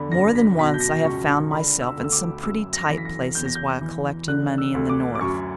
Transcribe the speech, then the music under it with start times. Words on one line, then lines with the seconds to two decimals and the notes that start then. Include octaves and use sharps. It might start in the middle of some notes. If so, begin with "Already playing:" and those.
More than once I have found myself in some pretty tight places while collecting money in the North.
Already playing: E2 D3 B5
0.12 F#2 A#6
0.35 B6
0.58 B2 B6
0.66 A#6
0.74 G6
0.80 A#6
1.04 C#2 C#6
1.50 D3 B5
1.81 E6
1.98 D2
2.04 E6
2.12 D6
2.43 F#2 E6
2.73 A#6
2.89 E3
2.98 B6
3.05 A#6
3.35 E2 G6
3.46 A#6
3.55 G6
3.81 E3
4.28 D3 F#6
4.58 E6
4.75 D2
4.89 D6
5.15 D6
5.21 F#2 C#6